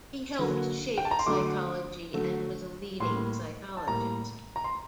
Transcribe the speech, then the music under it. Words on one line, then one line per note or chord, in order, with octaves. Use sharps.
He helped shape psychology and was a leading psychologist.
D3 F#3 A#3
G5
A5
A#5
C6
D3 F#3 A3 D6
D3 F#3 A3
A2 G3 A#3 C6
A5
A2 G3 A#3 A#5
A#5
C6